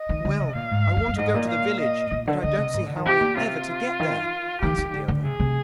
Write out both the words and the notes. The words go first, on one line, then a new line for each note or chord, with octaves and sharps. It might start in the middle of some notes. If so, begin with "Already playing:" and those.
'Well, I want to go to the village; but I don't see how I am ever to get there,' answered the other.
Already playing: D#5
D#3
D3
C3
A#2 F5
G#2
G2
F2
G2
G#2 D#5
A#2
F5
D#5
A#2
D3
D3 D#5
C3
G#2
D3
D#3
C3 G4
A#2
C3 F4
D#3
D#3 G4
D#3
D3
D3
C3 G#4
C3